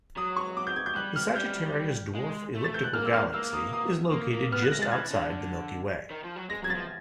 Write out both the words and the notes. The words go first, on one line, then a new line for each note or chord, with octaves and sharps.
The Sagittarius Dwarf Elliptical Galaxy is located just outside the Milky Way.
F#3 D#6
C#6
D6
G6
G#6
G6
G3 F#6
F6
G3 G6
G#3
A3
A6
G6
F#6
A#3 F6
E6
F6
A#3 E6
D#6
D#6
A#3
A#3
B3 F6
F#6
A#6
G#3 A6
E3 G#6
D3
D#3
F3
F#3
G#3 A#6
F#3 G#6
A6
F3